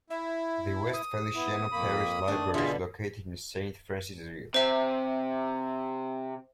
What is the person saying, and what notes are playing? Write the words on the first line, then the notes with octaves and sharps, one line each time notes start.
The West Feliciana Parish Library is located in Saint Francisville.
E4 E5
D#6
B3 E4
F2 A#3 B5
D#3 A3 D4
B2 D3 F4 G#4 E5 F5
C3 C5 E5